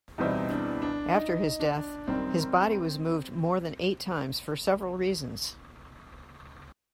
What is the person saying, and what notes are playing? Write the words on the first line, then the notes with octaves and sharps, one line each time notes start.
After his death, his body was moved more than eight times for several reasons.
E2 B2 G3 C4 D#4 E4
D4
D4
D#4
D4
F#2 D#3 G3 C4